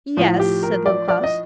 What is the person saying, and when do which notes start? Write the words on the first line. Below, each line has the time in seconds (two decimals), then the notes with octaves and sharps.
'Yes,' said Little Klaus.
0.17 A2 F3 F4
0.39 G4
0.63 A#4
0.86 D5
1.08 D5
1.24 D#5